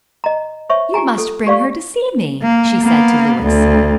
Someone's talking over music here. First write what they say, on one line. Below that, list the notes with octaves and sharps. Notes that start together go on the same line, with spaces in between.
"You must bring her to see me," she said to Louis.
D#5 A#5
C5 C#5 E5 C#6
F4 G4 G#5 A#5
A4
G4 D5 F5 C#6
A#3
A#3 B3
D2